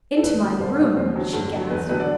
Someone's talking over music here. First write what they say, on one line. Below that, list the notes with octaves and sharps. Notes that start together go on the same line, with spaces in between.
"Into my room?" she gasped.
A4
E2 B4
D3 F#3
C2 C5
B2 F#3
E2 C5
D3 F#3
G2 A4
D3 F#3
E2 B4
D3 F#3 B4
D5